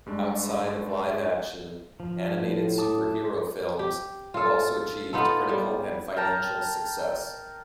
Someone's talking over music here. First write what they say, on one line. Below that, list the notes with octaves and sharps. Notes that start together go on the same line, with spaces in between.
Outside of live action, animated superhero films have also achieved critical and financial success.
G2 G#3 D4
F3
A2
A5 D6 D#6
G4
F4 A4
B3 D#4 F4 A4
G3
A#4 G5 A5 A#5